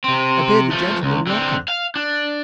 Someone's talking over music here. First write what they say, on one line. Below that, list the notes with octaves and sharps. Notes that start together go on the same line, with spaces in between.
I bade the gentlemen welcome.
C3 C4
F3 A3
C#2
D3 C4
F5
D4